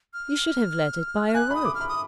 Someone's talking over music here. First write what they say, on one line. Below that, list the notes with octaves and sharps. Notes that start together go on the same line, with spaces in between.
You should have led it by a rope.'
F6
F6
G#5 F#6
B5
D#6
D6
F6
B5
D#6